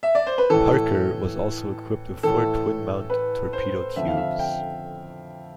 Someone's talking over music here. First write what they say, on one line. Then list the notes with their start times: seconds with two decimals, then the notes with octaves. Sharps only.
"Parker" was also equipped with four twin mount torpedo tubes.
0.03 E5
0.15 D5
0.27 C5
0.38 B4
0.50 A2 E3 A4
2.23 A2 E3 A4
3.10 B4
3.53 C5
3.96 F2 D3 E5
4.07 F5
4.17 E5
4.39 G5